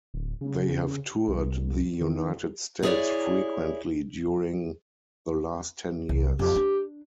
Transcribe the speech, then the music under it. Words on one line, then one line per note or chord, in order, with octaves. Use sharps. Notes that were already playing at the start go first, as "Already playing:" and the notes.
They have toured the United States frequently during the last ten years.
D1
C#3
C2
D#3
E4 G#4 A4 B4 C#5 D5
C2
F2 G4
D4